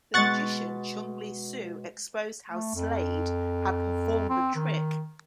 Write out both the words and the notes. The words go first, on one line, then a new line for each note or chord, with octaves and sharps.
The magician Chung Ling Soo exposed how Slade had performed the trick.
B2 G#3 F#5 C#6 A6
A3
F2
C4
D#3